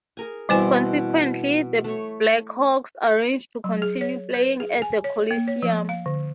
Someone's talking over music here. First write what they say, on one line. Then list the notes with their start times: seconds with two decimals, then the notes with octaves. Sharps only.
Consequently, the Blackhawks arranged to continue playing at the Coliseum.
0.17 G#4 A#4 G#5
0.49 B2 E3 G3 C4 C5 G#5
1.84 A3 C#5
3.64 F#3
3.82 G#4
4.01 C#5
4.34 B4
4.60 G#4
4.82 G#5
5.04 C#5
5.31 A#3
5.48 C#5
5.62 F3
5.89 F5
6.06 D3